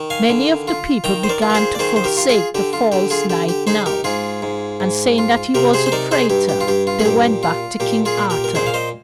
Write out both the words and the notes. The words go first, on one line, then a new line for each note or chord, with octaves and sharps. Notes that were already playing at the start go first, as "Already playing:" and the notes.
Many of the people began to forsake the false knight now, and saying that he was a traitor, they went back to King Arthur.
Already playing: D#3
F5 G#5
D3
F4
D#3 G5 A#5
C5
A#4 D5
F4
A#4
G#4 C5
D5
D#3 G#4 C5
C5
G4 A#4
F4
F4 G#4
D3 G4
F4
D3 G4
F4 G#4
D3 G4
G4
D#4 G#4 C5
G4 A#4
G#2 F4 G#4
G#2
G#2
F4
C3 G4 A#4
G#4 C5
C5
D#4 A#4 D5
G#4 C5
G2 G4
G4
F4
G2 G4
F4
G#4
A#2 G4
F4
A#2 G4
F4 G#4
A#2
G4 A#4
A#4
A#2 G#4 C5
F5
C5 D#5